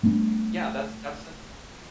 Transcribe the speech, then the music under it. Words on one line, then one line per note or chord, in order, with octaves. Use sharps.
Yeah, that's that's an
G3 A3 B3 D4